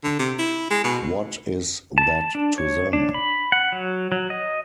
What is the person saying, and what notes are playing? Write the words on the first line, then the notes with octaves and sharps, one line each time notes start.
What is that to them?
D3
C3
E4
G#3
B2
A5
D4
C#5
D4
B5
F#5
F#3
F#3
D#5